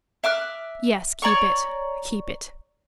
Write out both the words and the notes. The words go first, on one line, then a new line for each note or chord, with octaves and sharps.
"Yes, keep it--keep it."
E5 D6 F6 F#6
C#5 D5 A#5 C#6